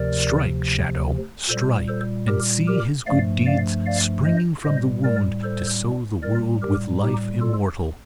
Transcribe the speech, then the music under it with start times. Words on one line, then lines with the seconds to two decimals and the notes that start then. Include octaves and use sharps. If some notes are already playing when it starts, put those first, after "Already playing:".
Strike, Shadow, strike! And see his good deeds springing from the wound, to sow the world with life immortal!
Already playing: D2 C3 F3 A#4 D5
1.49 A#2 G3 A4 C5
1.88 A4 C5
2.28 G4 A#4
2.68 G4 A#4
3.07 G2 F3 A3 D5 F5
3.46 D5 F5
3.86 D5 F5
4.25 C5 D#5
4.64 A2 G3 C5 D#5
5.04 A#4 D5
5.43 A4 C5
6.23 A2 G3 A#4 D5
6.62 G4 A#4
7.02 D#4 G4
7.41 F4 A4